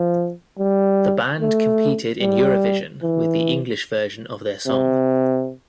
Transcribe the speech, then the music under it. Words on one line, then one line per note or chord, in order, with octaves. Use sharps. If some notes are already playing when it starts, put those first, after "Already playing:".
The band competed in Eurovision with the English version of their song.
Already playing: F3
G3
A3
G3
E3
C3